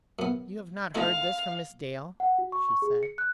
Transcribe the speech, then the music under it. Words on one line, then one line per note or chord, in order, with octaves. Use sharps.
"You have not heard this from Miss Dale?" she said.
F#2 B3
A3 D#4 E4 F5
F#5
F#4
C#6
C#6
G#4
C#7
F#6